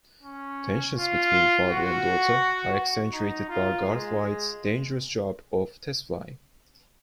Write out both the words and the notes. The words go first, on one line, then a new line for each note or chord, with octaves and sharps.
Tensions between father and daughter are accentuated by Garthwaite's dangerous job of test flying.
C#4
F4
F#4
D#4
F4
G#3